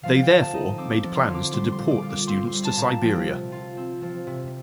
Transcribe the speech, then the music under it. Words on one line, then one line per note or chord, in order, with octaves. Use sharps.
They therefore made plans to deport the students to Siberia.
F3 F5
G5
D3
A5
D#4
C4 D6
F3
C6
D3
D6
G3 C6
C6
A#2
D6
F4
D6
C4 C6
C6
G3
A5
A#2 A#5
A5
F3 G5
C3
F4
C4
F3
C3